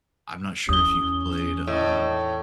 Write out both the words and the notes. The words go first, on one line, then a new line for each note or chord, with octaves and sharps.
I'm not sure if you've played, um,
E2 C#4 D#6 G7
D#2 A2 D4 D#5